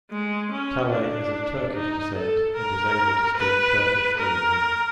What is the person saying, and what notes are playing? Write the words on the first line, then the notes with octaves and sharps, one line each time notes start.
Talay is of Turkish descent, and is able to speak Turkish fluently.
G#3
C#4
D4
D#4
A4
A#4
B4
A#4